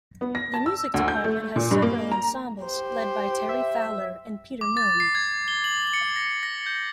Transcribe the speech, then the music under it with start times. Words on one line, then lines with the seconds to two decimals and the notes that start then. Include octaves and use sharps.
The music department has several ensembles led by Teri Fowler, and Peter Milne.
0.21 B3
0.35 A#6
0.54 A5
0.66 E6
0.94 D2
1.08 G6
1.24 A3
1.56 A#2
1.71 G2
1.82 A#3
2.12 A#5
2.63 G4 C5
3.49 E5
4.61 D6
4.77 A6
5.00 C7
5.15 G#6
5.48 G7
5.64 F#7
5.93 C#7
6.16 A#6
6.43 A#6
6.66 G6